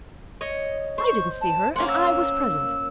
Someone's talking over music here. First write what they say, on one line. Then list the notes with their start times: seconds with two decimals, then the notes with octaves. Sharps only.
"I didn't see her, and I was present."
0.41 C#5 D#5
0.98 C5 C#6
1.41 A5
1.76 A#3 C#4 F#5 C6
1.89 E6